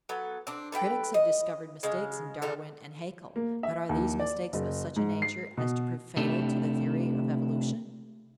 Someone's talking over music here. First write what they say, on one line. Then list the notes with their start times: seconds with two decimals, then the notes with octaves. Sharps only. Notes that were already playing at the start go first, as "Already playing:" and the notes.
Critics have discovered mistakes in Darwin and Haeckel, but are these mistakes of such a nature as to prove fatal to the theory of evolution?
0.09 F#3 B3 A4
0.47 C4 D4
0.72 A4 B4 F5 G5
1.14 D#5
1.83 C#3 G#3
2.42 C#3 D4 F4 A4
3.36 A#3
3.63 E5
3.89 D#2
4.20 D5
4.53 F#1
4.96 G#2
5.22 C7
5.57 B2
6.17 C3 A3 D4 E4 G4 A4